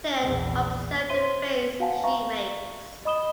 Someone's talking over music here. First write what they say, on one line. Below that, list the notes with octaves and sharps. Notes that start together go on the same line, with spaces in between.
Then observe the face she makes.
A#1 E2
C5 C#5 E5 C6 D#7 G7
F#4 F5 F#5 G#5 A5
E5 F5 A#5 C#6
D#5 B5 D#6 E7 G7